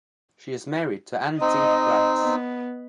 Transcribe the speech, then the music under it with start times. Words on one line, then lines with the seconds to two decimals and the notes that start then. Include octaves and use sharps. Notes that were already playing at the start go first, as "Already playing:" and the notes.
She is married to Antti Brax.
1.41 C4 D#4 D#5
2.20 B3